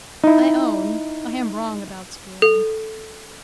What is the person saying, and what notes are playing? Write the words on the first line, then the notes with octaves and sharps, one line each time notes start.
'I own, I am wrong about schooling.
D#4 E4
A4